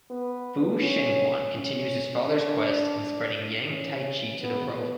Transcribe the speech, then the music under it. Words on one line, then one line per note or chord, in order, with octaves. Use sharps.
Fu Shengyuan continues his father's quest in spreading Yang t'ai chi to the world.
B3
C#4
C#4
D4
C#4
B3